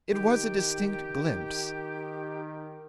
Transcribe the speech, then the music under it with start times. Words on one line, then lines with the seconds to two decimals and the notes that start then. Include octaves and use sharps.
It was a distinct glimpse.
0.12 D#3 G4